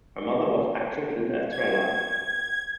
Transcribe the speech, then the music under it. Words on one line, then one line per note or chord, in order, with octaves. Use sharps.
Her mother was actress Linda Estrella.
G#6